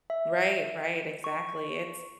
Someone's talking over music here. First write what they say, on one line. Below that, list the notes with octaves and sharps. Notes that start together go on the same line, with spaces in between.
Right, right, exactly, it's
E5
C#6